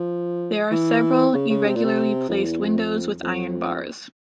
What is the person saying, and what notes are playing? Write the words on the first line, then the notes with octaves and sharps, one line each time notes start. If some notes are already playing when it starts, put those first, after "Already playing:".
There are several irregularly placed windows with iron bars.
Already playing: F3
E3
C#3
C#3
C3
A#2
C3
F2
E2
F2
F2